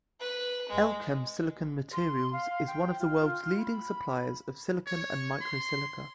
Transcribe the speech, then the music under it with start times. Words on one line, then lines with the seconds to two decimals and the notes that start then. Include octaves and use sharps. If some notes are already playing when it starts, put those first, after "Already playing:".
Elkem Silicon Materials is one of the world's leading suppliers of silicon and microsilica.
0.20 B4
0.69 G#3
1.92 C6
2.33 F5
2.67 G5
2.99 F4
3.57 B5
4.86 C#5
5.41 C6